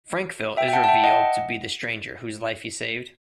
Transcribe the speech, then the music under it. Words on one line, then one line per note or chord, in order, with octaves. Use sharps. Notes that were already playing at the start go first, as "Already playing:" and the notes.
Frankville is revealed to be the stranger whose life he saved.
E5 G5
G5
F#5 A5
A5
E5 G5
D#5 F#5